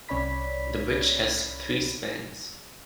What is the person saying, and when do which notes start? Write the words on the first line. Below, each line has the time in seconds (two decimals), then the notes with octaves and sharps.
The bridge has three spans.
0.09 C2 C#4 C#5 D5 B5 B6